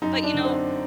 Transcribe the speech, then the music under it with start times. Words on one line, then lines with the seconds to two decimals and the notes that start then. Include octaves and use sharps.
But, you know
0.02 F#2 D#4
0.23 D4
0.34 D3
0.45 C4